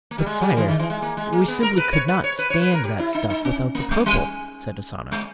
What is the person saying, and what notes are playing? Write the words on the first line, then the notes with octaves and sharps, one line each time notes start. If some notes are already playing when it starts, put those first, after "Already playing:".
"But, Sire, we simply could not stand that stuff without the purple," said Asano.
A#3
G3
G#3
G3
E3
D#3
E3
G#3
A#3
G#3
A#3
B3
A#4
A#4
B4
C#5
B4
C#5
B4
C#5
B4
A#4
G4
E4
D#4
D#4
C#4
A#3
G#3
G3
G#3